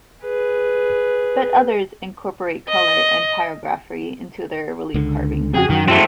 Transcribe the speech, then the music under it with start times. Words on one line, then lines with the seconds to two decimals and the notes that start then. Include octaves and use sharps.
But others incorporate color and pyrography into their relief carvings.
0.23 G#4 B4
2.69 D#5
4.94 C#2 D3
5.54 F2 C#3 F#4 G#4 G5
5.70 F#2 D#3
5.88 E3 G#3 A3 C4